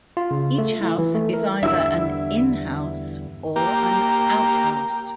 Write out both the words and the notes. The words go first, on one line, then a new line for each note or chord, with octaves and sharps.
Each house is either an 'in-house' or an 'out-house'.
F4
C#3
A3
E4
E3
A3
A#4
E2 G2 D3 E4 E5 E6
A#3 G4